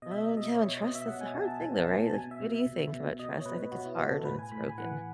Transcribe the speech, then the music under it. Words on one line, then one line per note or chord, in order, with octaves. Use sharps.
Oh, yeah, and trust is a hard thing, though, right? Like, what do you think about trust? I think it's hard when it's broken.
B2 D#5
E5
D#5
B2
D#5
B2 C#5
C#5
B2 D#5
E5
B2 F#5
G#5
B2 A5
A5
B2 G#5
A5
B2
A5
B2 G#5
E5
B2
E5
B2
B2
B2 D#5
C#5
B2 B4
B2 F#4
E4
B2 F#4
A4
A2 B4
G#5
A2 B5
G#5
E3 F#5